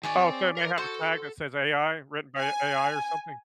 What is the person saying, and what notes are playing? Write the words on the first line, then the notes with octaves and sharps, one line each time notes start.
Oh, so it may have a tag that says AI written by AI or something.
D#3 G#4 C#5 D5 G#5
C4
A#4
F#4 A4 C5
G#5